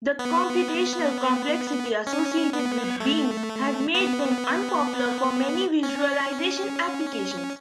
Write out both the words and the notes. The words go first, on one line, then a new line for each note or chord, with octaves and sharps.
The computational complexity associated with beams has made them unpopular for many visualization applications.
B3
C#4
B3
A3
B3
C#4